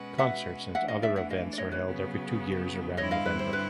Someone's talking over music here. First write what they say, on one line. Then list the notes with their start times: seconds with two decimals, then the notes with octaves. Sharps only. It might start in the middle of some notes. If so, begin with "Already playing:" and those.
Concerts and other events are held every two years around November.
Already playing: B2 G#3 C#4 F#4 B4
0.18 E5 F#5
0.74 E3 A3 D4 E5 F#5
0.88 D#5 F5
1.02 D5 E5
1.16 E5 F#5
1.30 D#5 F5
1.53 D5
1.58 C#5 D#5
1.72 B4 C#5
1.86 C#3 F#3 B3
2.97 G2 D3 G3 C4 E4 C#5 D#5
3.11 D#5 F5
3.25 B4
3.39 C5
3.53 B4